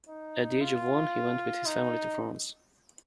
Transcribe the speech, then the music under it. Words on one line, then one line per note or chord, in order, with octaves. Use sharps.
At the age of one, he went with his family to France.
D#4
F4
D#4